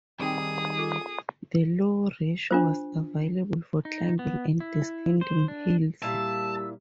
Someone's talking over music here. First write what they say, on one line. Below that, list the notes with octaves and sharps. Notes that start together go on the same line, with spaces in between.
The low ratio was available for climbing and descending hills.
D#3 G3 C4 D#4 G#4 G5 D#6
F4 A4 D6
D4 F4 C5
D#4
B3
E4
C5
D4
A#2 G3 E4 G4 F5 A5 E6